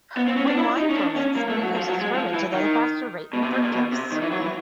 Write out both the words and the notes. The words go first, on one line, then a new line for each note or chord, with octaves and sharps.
When wine ferments, glucose is fermented at a faster rate than fructose.
B3
C4
C#4
D4
E4
D#4
C#4
D4
C#4
A#3
A3
F#3
F3
F#3
G#3
F3
E3
D#3
B2
C3
B2
A#2
B2
C3
D#3
E3
F#3
E3